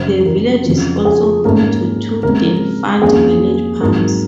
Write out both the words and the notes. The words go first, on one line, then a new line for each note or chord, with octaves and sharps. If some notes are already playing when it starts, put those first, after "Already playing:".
The village is also home to two defunct village pumps.
Already playing: F#2 C#3 F#3 C5
A#4
F2 C#3 F3
G#4
G#2 D#3 A#3 C#4 A#4
C#3 G#3 C4 A#4
F2 D#3 A#3 C#4 G#4
G#2 D#3 F#3 C4 A#4